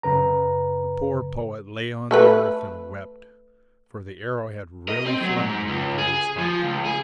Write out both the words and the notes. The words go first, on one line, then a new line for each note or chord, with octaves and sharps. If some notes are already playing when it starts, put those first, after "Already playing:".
The poor poet lay on the earth and wept, for the arrow had really flown into his heart.
F#2 C#3 B4 A#5
A3 A4 B4
D#5
C4
F#3
G#2
C#2
G#4
F3
C#2
G#4